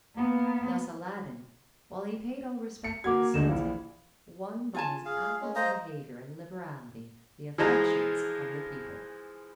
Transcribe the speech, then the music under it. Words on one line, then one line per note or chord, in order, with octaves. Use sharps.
Thus Aladdin, while he paid all respect to the sultan, won by his affable behaviour and liberality the affections of the people.
A#3 B3
C#7
A#3 F#4 F#5 D6 G#6
D2 D3 D4 D#4 F4 E7
A#1 E3 F5
F4 G#5 A5
G#4 F5
G#3 C#4
C5 D#5 F5 A#5
E3 F3 G#3 A#5